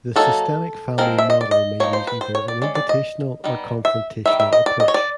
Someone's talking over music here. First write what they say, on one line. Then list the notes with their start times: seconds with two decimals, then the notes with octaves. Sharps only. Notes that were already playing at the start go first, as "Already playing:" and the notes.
The Systemic Family Model may use either an invitational or confrontational approach.
0.16 F#3 A#3 D#4 A4
0.98 F3 G#3 C4 A#4
1.18 E5
1.30 D#5
1.41 D5
1.51 D#5
1.80 F3 A#3 D#4 C#5
1.93 C5
2.07 B4
2.21 C5
2.35 C#5
2.48 D5
2.62 G#3 C#4 D5
2.75 D5
2.89 D#5
3.44 G3 B3 D#4
3.85 E5
4.26 D#3 G3 E5
4.40 E5
4.53 D#5
4.66 D5
4.80 D#5
4.88 C#5
4.94 D5